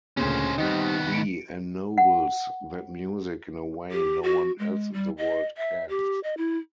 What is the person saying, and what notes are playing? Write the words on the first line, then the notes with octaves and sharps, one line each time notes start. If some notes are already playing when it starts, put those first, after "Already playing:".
He ennobles that music in a way no one else in the world can.
D2 A#2 C#3 C#4 C5
D#3 G3 B3 C4 D#4
C#7 D7
F#5
G4
F#4
G#3
G3
D#5
E5
G4
D#5
E4